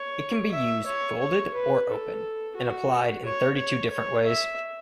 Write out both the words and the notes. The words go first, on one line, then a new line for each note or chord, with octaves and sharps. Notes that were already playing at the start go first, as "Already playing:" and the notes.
It can be used folded or open, and applied in thirty-two different ways.
Already playing: C#5
E5
C#5
C#5
B4
A4
F#4
C#5
C#5
C#5
E5